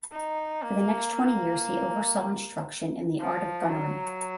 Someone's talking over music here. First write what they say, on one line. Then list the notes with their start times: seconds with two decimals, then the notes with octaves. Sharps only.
For the next twenty years he oversaw instruction in the art of gunnery.
0.12 D#4
0.63 A#3
1.15 A#3
3.20 F3
3.70 F#3